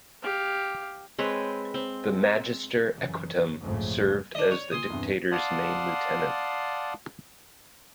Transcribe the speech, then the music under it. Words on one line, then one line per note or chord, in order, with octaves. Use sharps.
The Magister Equitum served as the Dictator's main lieutenant.
G4 F5
G#3 C4 B4 C#5
C4
F#2 C#3 E3
A#1 F2 G#2 C#3 F3 A3
D4 D5 D#5
C#5
A#2 C6 D#6 G#6
E2 G2 C3
D5 F5 F#5 A5 C6 D#6